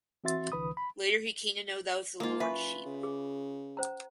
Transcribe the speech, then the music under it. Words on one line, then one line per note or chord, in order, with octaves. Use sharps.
Later he came to know that was the Lord Shiva.
E3 C4 F#4 E5 C6 A6
C2 D3 E3 B4 B5 D#6
B5
G#2 A#3 F4
F#1 B4 E5 G#5 C#6
C#3
G#4
C#4 C5 A#5